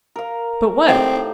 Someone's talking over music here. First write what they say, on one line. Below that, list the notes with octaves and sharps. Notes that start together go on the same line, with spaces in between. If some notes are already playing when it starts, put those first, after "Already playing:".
"But what?"
A#4 F5
A2 C4 D#4 G4